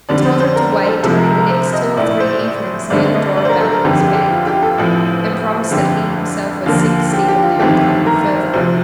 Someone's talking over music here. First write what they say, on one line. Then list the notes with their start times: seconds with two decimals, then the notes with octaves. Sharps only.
He told him to wait during the next two or three evenings near the door of Bounderby's bank, and promised that he himself would seek Stephen there and tell him further.
0.09 F2 D3 G3 C4 D5
0.25 C5
0.40 C5
0.55 A#4
0.72 C5
0.87 A4
1.03 C2 C3 F3 A4
1.15 A#4
1.26 A#4
1.37 A#4
1.50 C5
1.73 D#5
1.97 A#1 A2 A3 D5
2.20 C5
2.90 G1 G2 D3 A3 C4 D5
3.14 D#5
3.37 D5
3.45 C5
3.49 A#4
3.60 A4
3.72 A#4
3.84 G1 F2 D3 G3 G4
3.99 G4
4.15 G4
4.30 F4
4.46 G4
4.62 A4
4.78 A1 A2 F3 C4
5.71 G1 F2 D3 G4
6.66 D#2 D3 F3 A#3 F4
7.13 G4
7.28 G4
7.43 F4
7.59 G1 F2 D#3 A3 C4 G4
8.06 A#4
8.53 D2 C3 F3 C4 C5